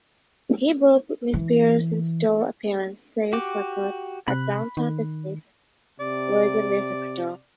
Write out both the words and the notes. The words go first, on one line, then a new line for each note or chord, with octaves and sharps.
He broke Britney Spears' in-store-appearance sales record at Downtown Disney's Virgin music store.
E3
F#4 G4 D6
C3 B5 F#6
D#3
C3 D5